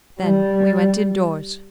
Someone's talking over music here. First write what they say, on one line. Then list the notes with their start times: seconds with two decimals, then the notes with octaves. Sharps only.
Then we went indoors.
0.21 G3